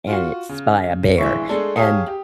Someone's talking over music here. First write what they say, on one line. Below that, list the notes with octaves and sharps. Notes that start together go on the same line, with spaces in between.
and it's by, uh, Behr, and
F4 F#4
C#3
A#1 E3 G#3 E5 C#6
G#3 A3 D4 G#4 A4
G4 G#4 C#5 F5 A5 D#6
G4